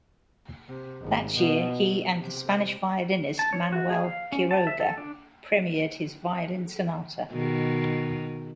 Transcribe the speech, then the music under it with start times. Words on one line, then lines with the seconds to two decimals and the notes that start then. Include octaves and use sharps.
That year he and the Spanish violinist Manuel Quiroga premiered his Violin Sonata.
0.68 C3
1.01 G#1
1.36 B2
1.78 F#3
2.17 C3
3.39 A5
3.53 C#5
3.72 F#4
3.90 G#4
4.04 F5
4.32 C#4
4.51 A5
4.67 E5
4.80 A4
4.98 D4
7.31 B2 D#3